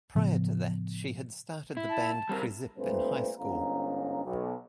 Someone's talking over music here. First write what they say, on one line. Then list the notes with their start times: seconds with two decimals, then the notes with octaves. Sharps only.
Prior to that, she had started the band Krezip in high school.
0.15 A2 C#3 F3 B3
1.77 E4
1.90 A5
2.29 G3 C4 A#4
2.78 G2 A#2 A3 C4 B4 C5
3.39 G1 G#2 C#4 F5 A#5
4.24 B1